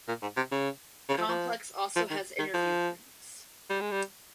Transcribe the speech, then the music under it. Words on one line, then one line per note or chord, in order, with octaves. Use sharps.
The complex also has interview rooms.
A#2
G#2
C3
C#3
C#3
F3
F3
F3
D#3
D#3
F3
G3
G#3
G3